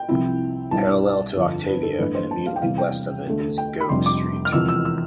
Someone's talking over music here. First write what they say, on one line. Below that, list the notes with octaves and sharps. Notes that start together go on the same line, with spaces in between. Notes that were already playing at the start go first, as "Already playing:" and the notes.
Parallel to Octavia and immediately west of it is Gough Street.
Already playing: G5
C2 C3 F3 C4 E4
C2 B2 G3 D4 A5
G1 F2 D3
B4
A4
A1 G2 D3 A3 B4
C5
A5
F5
G5
E2 C3 G3 F5
G5
D2 D3 A3
G5
B5
F1 F2 C3 G3 D4 C6
D6
F6
E1 E2 C3 F3 E6
E6
E6